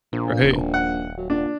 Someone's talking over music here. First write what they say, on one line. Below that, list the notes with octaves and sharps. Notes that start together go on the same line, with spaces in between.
Or hey
A#1 A#2
D#1
F#5
F#3
A#2 D4